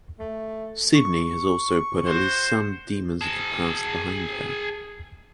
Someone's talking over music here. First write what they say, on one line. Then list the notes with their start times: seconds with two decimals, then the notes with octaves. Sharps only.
Sydney has also put at least some demons of the past behind her.
0.19 A3
0.95 C#6
2.06 F#4 C5
3.21 G#4 A5